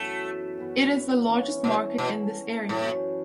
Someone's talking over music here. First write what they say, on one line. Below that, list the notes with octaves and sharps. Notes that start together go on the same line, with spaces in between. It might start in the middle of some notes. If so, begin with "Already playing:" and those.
It is the largest market in this area.
Already playing: F#2 E3 A3 B3 F#4
F#2 E3 B3 F#4
E3 C#4 E4
B2
B2 E3 C#4 E4
F#2 A2 E3 C#4 F#4